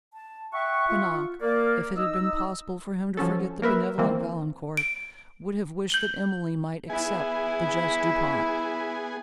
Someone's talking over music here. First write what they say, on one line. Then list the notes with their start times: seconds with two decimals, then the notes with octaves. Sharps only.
Bonnac, if it had been possible for him to forget the benevolent Valancourt, would have wished that Emily might accept the just Du Pont.
0.14 A5
0.53 E5 F#5 G5 C#6
0.89 F4
1.41 A#3 A#4 D5
1.96 D#4 D#5 D#6 E6
3.17 F3 F#3 C#4 A4
3.62 A#3 A#4 B4 E5
3.98 D#3 E3 A#3 C4
4.77 D7
5.90 G6 F#7 G7
6.90 B3 E4 G#4 G#5